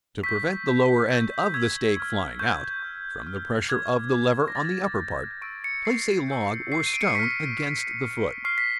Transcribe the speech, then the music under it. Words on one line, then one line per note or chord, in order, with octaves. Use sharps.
To prevent the lower end of the stake flying out, from the pressure of the lever on the upper part, place a log or stone against the foot.
C#6 E6 G6 B6
C#6 E6 G6
C#6 E6 G6
C#6 E6 G6 G#6
C#6 F6
C#6 F6 G6
C#6 F6
C#6 F6
D6 G6 G#6
D6 G6
A#6
D6 G6 A6
D6 G6
C#6 E6 G6 D7
C#7
C#6 E6 G6 C7
C#6 E6 G6
C#6 E6 G6 C7
D#7
D7
C#7
C7
C#6 F6 B6
C#6 F6
C#6 F6
C#6 F6 C7
B6